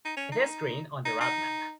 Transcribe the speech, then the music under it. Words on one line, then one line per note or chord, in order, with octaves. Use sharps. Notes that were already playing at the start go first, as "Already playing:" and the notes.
It is green on the route map.
D#4
C#4
D#4
D#4
D#4